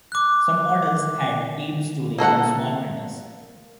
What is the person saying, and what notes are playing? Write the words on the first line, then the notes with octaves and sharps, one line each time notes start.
Some models had tape storage and small printers.
D6 F#6
A#3 A4 A#4 F#5